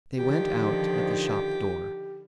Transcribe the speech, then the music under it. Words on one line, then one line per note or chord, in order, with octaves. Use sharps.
They went out at the shop door.
D3 D#3 F3 G4